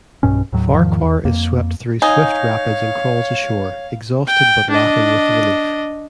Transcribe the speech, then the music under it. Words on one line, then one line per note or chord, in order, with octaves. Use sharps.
Farquhar is swept through swift rapids and crawls ashore exhausted but laughing with relief.
B1 G2 B2 C#4
D#2 A2 F#3
E2 G#2 D#3 F3
E2
F2 A#3
D#4 C#5 F5 G#5
G5
D4 D#5